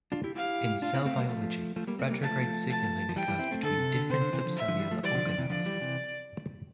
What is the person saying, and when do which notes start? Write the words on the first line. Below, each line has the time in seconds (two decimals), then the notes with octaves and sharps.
In cell biology, retrograde signaling occurs between different subcellular organelles.
0.12 D4 F4
0.24 E4 G4
0.35 E4 G4 F5
0.82 D4 F4 F5
0.94 C4 E4
1.05 A3 C4
1.17 G3 A#3
1.29 F3 A3
1.76 F3 A3
1.87 G3 A#3
1.99 A3 C4
2.11 G3 A#3
2.23 F3 A3 A5
2.70 A5
3.09 F3
3.16 E3 G3 G5
3.28 E3 G3
3.39 C4 E4
3.51 A3 C4
3.62 D3 A4
3.78 C3
3.94 D3
4.10 C3 C5
4.21 D3
4.33 C3 E3
4.45 D3 F3
4.56 E5
4.68 D3 F3
4.80 E3 G3
4.91 F3 A3
5.03 E3 G3 D5
5.15 D3 F3
5.26 D3 F3
5.38 C3 E3
5.50 D3 F3 D5
5.66 E3 G3
5.81 C3 E3